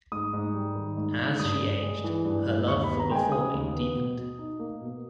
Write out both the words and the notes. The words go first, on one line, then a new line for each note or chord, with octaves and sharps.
As she aged, her love for performing deepened.
G#2 D#6
G#2
G3
D#3
G#2
G#2
G2 D#6
G2
G#3
E3
G2
G2
D#2 C#6
B5
B3
A#5
G#3 G5 G#5
C#3 D#6
D#2
B3
B2
B2
D#4
A#3
B2